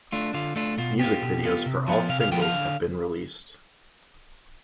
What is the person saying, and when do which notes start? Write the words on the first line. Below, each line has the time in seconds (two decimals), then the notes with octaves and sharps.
Music videos for all singles have been released.
0.12 A3 D4 F4
0.34 D3 F4
0.56 A3 D4 F4
0.78 B2 F4
0.99 B3 F4 G4
1.22 B2
1.43 B3 F4
1.66 C3
1.88 F3 B3 F4
2.09 C3 F5
2.21 F5
2.32 F3 B3 F4 G5
2.42 F5
2.54 D3